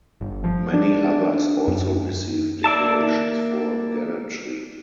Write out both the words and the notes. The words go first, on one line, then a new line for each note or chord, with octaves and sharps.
Many others also received decorations for gallantry.
G1
F3
D4
F#2
A#3 D5 E5 A5